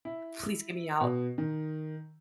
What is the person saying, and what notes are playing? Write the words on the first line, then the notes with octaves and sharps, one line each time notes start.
please get me out."
E4
B2
D#3